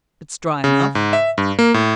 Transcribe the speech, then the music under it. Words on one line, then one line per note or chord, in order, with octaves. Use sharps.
It's dry enough.
C#3
G#2
E5
G2
A#3
A2